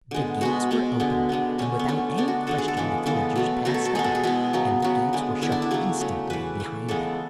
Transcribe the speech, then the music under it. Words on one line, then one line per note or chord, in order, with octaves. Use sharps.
The gates were opened, and without any question the villagers passed out, and the gates were shut instantly behind them.
D3 G#3 B3
B2 G#3 B3 F#4
B2 G#3 B3
D3 G#3 B3
D3 G#3 B3
D3 A3 C#4
B3
D3 A3 C#4
D3 G#3 B3 D4
F#4
D3 G#3 B3 A4
G#4
A4
C#3 E3 G#3 B3
C#3 E3 G#3 B3 A4
B2 F#3 A3
B2 F#3 A3 F#4
A4
A4
B2 G#3 B3 G#4
A4
G#4
B2 G#3 B3 E4
C#3 F#3 B3
C#3 F#3 B3
D3 G#3 B3
D3 G#3 B3 E4
D4
E4
C#3 F#3 A3 G#4
C#3 F#3 A3
E3 A3 B4
E3 A3
C#3 E3 G#3 B3 A4